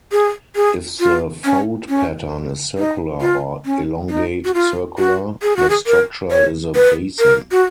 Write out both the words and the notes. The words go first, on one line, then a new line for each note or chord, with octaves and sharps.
If the fold pattern is circular or elongate circular the structure is a basin.
G#4
G#4
F4
C#4
C#4
D#4
F4
C#4
D#4
F#4
F4
F#4
G#4
F#4
G#4
A#4
C#5
B4
A#4
F#4